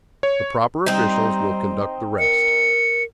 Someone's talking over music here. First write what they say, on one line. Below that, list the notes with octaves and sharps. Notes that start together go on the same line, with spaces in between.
The proper officials will conduct the rest....
C#5
G3 C4 D#4
A#4 C#7